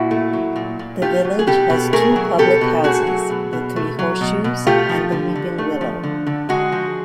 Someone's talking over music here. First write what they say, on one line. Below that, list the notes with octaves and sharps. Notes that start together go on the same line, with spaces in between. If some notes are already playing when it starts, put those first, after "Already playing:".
The village has two Public Houses - The Three Horseshoes, and The Weeping Willow.
Already playing: A#2 E4 F#4
A3
F#3
A#2
A#2
A3 F4 G4
F#3
G#4
B2 G4 A4
B2
A3 G#4 A#4
F#3
B2 G4 A4
B2
A3 F#4 G#4
F#3
B2
B2
A3
F#3
B2
B2
A3 F4 G4
F3
D3
D3
A3
F3
D3
D3
G#3 F#4 G#4
F3